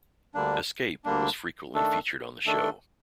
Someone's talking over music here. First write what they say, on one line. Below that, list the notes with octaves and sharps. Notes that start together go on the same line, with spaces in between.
Escape, was frequently featured on the show.
D2 D3 G3 A#3 D4
D2 D3 G3 A#3 D4
D#3 A3 D4 A4
D#3 A3 D4 A4